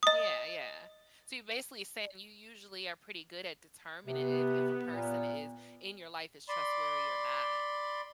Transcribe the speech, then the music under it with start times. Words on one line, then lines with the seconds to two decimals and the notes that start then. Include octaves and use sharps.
Yeah, yeah. So, you're basically saying you usually are pretty good at determining if if a person is in your life is trustworthy or not.
0.03 D#5 D#6
4.06 C3 B3
4.89 A#2
6.48 D5 B5 C6